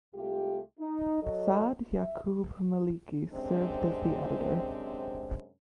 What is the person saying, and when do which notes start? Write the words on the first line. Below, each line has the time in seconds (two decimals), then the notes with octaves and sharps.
Saad Yaqoub Maliki served as the editor.
0.15 C2 G#3 A3 F4 G4
0.80 D#4
1.23 F#3 A4 D#5
1.94 E5
3.32 F#2 C3 G#3 C4 D4